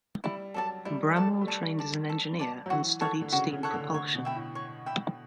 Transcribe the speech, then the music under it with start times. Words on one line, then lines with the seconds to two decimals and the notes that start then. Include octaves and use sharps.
Bramwell trained as an engineer and studied steam propulsion.
0.24 G3 E4
0.54 F#3 A4 D5 A5
0.85 G3 E4
1.16 A4 D5 A5
1.41 A3
1.47 G3 A4
1.79 D5 A5
2.09 A4
2.39 D5 A5
2.66 F#3
2.70 E3 F#4
3.01 A4 C#5 F#5
3.22 D3
3.32 C#3 F#4
3.53 C#3
3.63 A4 C#5 F#5
3.74 D3
3.94 D3 C#5
4.15 B2
4.25 E5 G5 B5
4.35 A2
4.55 C#5
4.86 E5 G5 B5